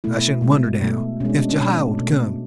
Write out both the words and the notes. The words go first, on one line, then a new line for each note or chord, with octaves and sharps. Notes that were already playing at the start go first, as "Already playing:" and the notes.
I shouldn't wonder, now, if Jehiel would come.
B2 A3 E4
B2 G#3
B2 A3
B2 G#3 C#4 D4
C#4
C#4
B2 G#3 D4
B2 A3